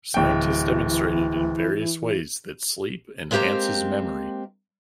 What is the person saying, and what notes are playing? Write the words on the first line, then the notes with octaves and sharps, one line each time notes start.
Scientists demonstrated in various ways that sleep enhances memory.
D1 E3 G5
G#3 A#3 C4 G4 C5 A#5